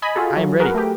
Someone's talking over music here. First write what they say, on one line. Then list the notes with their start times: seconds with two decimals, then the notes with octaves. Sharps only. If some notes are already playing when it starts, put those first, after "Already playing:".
"I am ready."
0.02 D#5 G#5 B5
0.15 F4 F#4 G#4 A4
0.37 F#3
0.60 F#4 G#4 A#4 B4
0.75 A3 G4